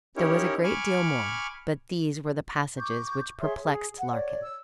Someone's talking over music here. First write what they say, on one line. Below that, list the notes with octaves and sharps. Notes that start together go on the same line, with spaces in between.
There was a great deal more, but these were the passages which perplexed Larkin.
C#4 D#4 E4 G4 A#4 C#5
G#5 B5 C#6 D6 F6
C#6 D6 G6
G#4 C#5 E5 C6
G#4
F#5
C#5 D5
E6